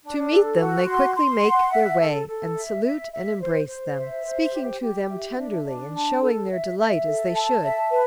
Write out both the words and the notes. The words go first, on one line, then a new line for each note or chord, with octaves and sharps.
To meet them they quickly make their way, and salute and embrace them, speaking to them tenderly and showing their delight as they should.
D4
A4
F#4
C6
C6
F#5
E5
A4
A4
E5
E5
E5
C5
C5
E5
C5
G4
G4
E5
D4
D4
A5
A4
E5
E5
A4
A5
E5
B4